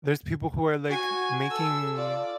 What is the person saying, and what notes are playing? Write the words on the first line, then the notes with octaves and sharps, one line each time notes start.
there's people who are, like, making,
F#4 G#5
A4 E6
F4 D5